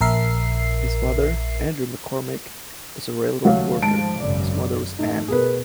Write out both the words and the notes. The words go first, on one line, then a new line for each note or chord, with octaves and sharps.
His father, Andrew McCormick, was a railroad worker; his mother was Ann.
A#1 A#4 E5 C7
D#2 C#3 F#3 A3 F5
G#2 F3 A5 D7
G#1 F#2 C#3 D5
A3 D#4
B2 G#4 A#4 B4